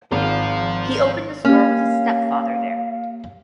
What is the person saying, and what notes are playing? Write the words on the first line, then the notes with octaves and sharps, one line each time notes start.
He opened a store with his stepfather there.
G#1 C5 F5
A#3 C#4 G4 F5